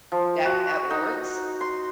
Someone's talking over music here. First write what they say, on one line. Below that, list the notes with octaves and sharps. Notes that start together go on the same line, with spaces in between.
that that works.
F3
F#4
D#4
C6